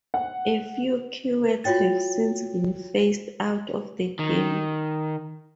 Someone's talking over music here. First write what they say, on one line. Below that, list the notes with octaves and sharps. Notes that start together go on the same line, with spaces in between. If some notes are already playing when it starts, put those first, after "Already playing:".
A few keywords have since been phased out of the game.
F#5
F4 F#4 C#5 G5 A6
D#3